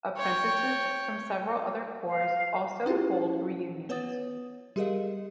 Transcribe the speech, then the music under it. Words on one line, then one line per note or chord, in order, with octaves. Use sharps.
Apprentices from several other corps also hold reunions.
C#5 G5
F5
C#4 E4 F4 G4 G#4
B3 B4 C#5 F#5 D#6 A6
G3 G4 G#4 A#4 D#5 F5